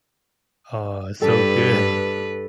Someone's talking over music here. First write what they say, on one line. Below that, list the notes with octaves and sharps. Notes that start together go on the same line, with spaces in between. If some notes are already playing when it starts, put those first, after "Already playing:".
Oh, so good.
G2 A4 B4